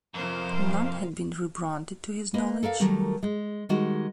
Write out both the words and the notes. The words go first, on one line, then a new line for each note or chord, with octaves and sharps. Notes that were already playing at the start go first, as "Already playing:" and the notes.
None had been rebranded to his knowledge.
F2 C3 F3 A#4 C5 F5
A#3 B4 D#5
A4 A#4 D5 F5
D#3 F#3 G3 A3 A#4
G#3
D#3 G3 G#3 D#4 F#4